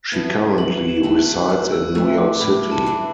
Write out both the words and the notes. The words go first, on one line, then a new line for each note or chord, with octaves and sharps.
She currently resides in New York City.
B3 E4 A4
E3 F#7
E7
A3 F#4 A4
F#6
E2 F#6
E6
E3 A3 E6
D6
A2 B5
A5
E3 D4